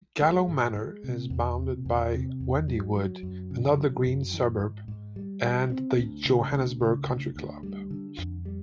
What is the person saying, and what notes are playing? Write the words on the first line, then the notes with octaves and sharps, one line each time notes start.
Gallo Manor is bounded by Wendywood, another green suburb, and the Johannesburg Country Club.
G#3
G#2
G#3
C3
E2
C3
E2
C3
E2
F#3
F#3
F#2
C#3
F#3
F#2
E3
G#2
G#2
G3
G3
C4
D2
C#3
D2
C#3
D2
D2
G3
D3
F2
G3